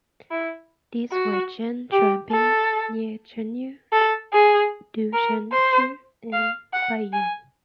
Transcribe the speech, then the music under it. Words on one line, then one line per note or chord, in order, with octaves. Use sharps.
These were Chen Chuanping, Nie Chunyu, Du Shanxue, and Bai Yun.
E4
F#4
G4
A4
A4
G#4
A#4
C5
F5
F#5
G#5